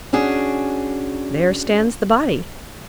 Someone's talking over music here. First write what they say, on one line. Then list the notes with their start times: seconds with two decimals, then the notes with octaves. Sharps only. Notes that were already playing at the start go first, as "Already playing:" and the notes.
There stands the body!
0.13 C#4 D4 F#4 G#4